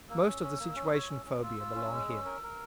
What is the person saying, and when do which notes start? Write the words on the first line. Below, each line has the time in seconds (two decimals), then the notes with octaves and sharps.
Most of the situation-phobia belong here.
0.09 A#3 E6
0.27 C#4
0.43 C#4
0.60 A#3
0.76 C#4
0.93 C#5
1.10 C#4
1.26 C#4
1.42 F4 E6
1.59 F4
1.75 C#4
1.92 G#3
2.09 C#4
2.25 A#4
2.43 A#4